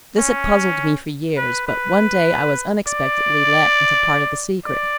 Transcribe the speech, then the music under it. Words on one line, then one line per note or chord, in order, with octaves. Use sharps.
This had puzzled me for years, but one day I was unexpectedly let into part of the secret.
C#4
B4
B4
D5
D5